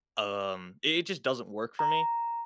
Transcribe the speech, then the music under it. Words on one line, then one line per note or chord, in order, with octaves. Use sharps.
um i it just doesn't work for me.
A#5